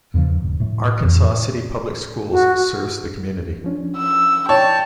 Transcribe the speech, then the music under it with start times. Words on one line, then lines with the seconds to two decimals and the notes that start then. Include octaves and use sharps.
Arkansas City Public Schools serves the community.
0.14 E2 G2 C#3 F3
0.42 D#1
0.60 A2 A3
1.01 F2 A2 E3
2.31 F#4
3.64 F3 C#4 D4
3.97 E6
4.49 C#5 D5 G5 A5